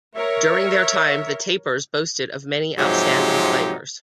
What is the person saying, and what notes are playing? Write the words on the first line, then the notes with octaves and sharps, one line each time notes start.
During their time, the Tapers boasted of many outstanding players.
A#4 C#5 E5
G#2 C3 F3 F#3 D#4 G4